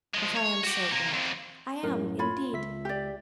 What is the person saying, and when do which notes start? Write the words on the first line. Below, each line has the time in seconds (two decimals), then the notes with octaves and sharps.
But I am so glad; I am, indeed.
0.15 F3 G#3
0.37 C#5
0.64 F#4 G4
0.91 C3 A#3
1.13 F2 C3
1.83 F#2 A2 A#4
2.19 F4 C#5 B5
2.53 C#2 E5 B6
2.85 G4 D5